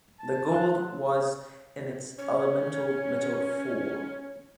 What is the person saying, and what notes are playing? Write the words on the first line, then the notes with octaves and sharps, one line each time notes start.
The gold was in its elemental metal form.
A5
F#3 C6 F#6
C#4 C#5